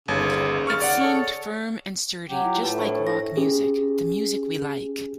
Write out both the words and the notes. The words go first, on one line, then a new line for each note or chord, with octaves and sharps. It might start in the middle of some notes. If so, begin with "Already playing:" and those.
It seemed firm and sturdy just like rock music, the music we like.
G1 D#2 C#3
C#6 F6 A6
D5 F#5
G#4 A4 C#5
F#3 G4
E4 F4
A2 B4 A5
D4 C5 C#6
A#6
C#4 G4 G#4